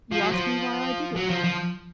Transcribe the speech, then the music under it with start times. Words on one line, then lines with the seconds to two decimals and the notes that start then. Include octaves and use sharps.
You ask me why I did it.
0.12 F3
0.21 F#3
0.32 F3
1.16 F#3
1.30 F3
1.44 F3